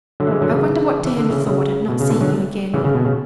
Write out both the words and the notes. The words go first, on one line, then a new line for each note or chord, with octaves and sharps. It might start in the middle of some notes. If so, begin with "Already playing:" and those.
I wonder what Dan thought at not seeing you again?
D3 F#3
A3
E3 G#3
D3 F#3
C#3 E3
E3
D3
C#3 E3
C#3
B2
C#3
B2 D3
D3 F#3
C#3 E3
C#3
B2
C#3